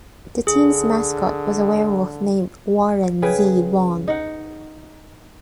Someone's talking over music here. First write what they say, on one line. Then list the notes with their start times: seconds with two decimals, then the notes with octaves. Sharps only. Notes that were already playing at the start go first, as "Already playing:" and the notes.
The team's mascot was a werewolf named "Warren Z. Vaughn".
0.47 D3 G#4
3.22 C#3 G#4 B4 G5
4.08 D#4 F#5